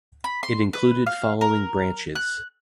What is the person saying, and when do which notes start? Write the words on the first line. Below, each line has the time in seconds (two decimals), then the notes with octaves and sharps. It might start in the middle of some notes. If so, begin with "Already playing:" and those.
It included following branches.
0.24 B5
0.43 C6
0.73 B4
1.06 F5
1.41 A#4
2.15 F#6